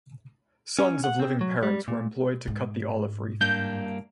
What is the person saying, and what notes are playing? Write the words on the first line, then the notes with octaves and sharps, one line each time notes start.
Sons of living parents were employed to cut the olive-wreath.
C#4
F#5
C4
F#3
G3
A#2
G#2
G2 A#3 D4 G6